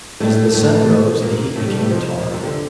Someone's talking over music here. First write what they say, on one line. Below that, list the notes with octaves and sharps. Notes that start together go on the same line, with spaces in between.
As the sun rose, the heat became intolerable.
A2 A3
A2 A3
A#2 A#3
A2 A3
G2 G3
A2 A3
F2 F3
A#2
C3
D3